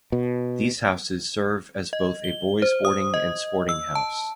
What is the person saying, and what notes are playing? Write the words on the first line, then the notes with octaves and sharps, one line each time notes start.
These houses serve as both a boys boarding and sporting house.
B2
D#5
G7
C5
D#6
D#5
E6
A5